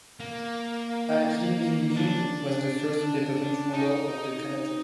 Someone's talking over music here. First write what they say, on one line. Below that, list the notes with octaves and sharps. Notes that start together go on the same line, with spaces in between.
Hajji Bi Ming was the first independent ruler of the khanate.
A#3
D4
D#4